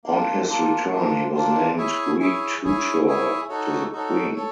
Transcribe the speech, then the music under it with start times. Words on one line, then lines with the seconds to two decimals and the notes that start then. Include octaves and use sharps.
On his return he was named Greek tutor to the Queen.
0.04 A#3 D4 F4
0.47 A#3 D4 F4
0.90 A#3 D4 F4
1.33 A#3 D4 F4
1.77 E4 G#4 C#5 E5 G#5
2.20 E4 G#4 C#5 E5 G#5
2.64 E4 G#4 C#5 E5 G#5
3.06 E4 G#4 C#5 E5 G#5
3.49 D#4 F#4 A4 C#5
3.92 D#4 F#4 A4 C#5
4.36 A4 C#5